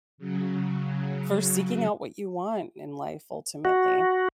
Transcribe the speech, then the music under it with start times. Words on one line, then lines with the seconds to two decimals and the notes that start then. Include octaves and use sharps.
for seeking out what you want in life, ultimately.
0.18 C#3 F#3
3.65 F#4